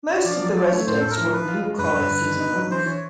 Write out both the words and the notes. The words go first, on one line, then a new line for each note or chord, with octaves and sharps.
Most of the residents were blue collar citizens.
D4 C#5
F3 D5
F#3 D5
F#3 D5
C#5
A3
A2 C5
A2 A4
A#4
F3
F3 B4
F4
G#3
G2 B4
G2
D3
D#3
D#4
F#3
E3 C5
E3 C#5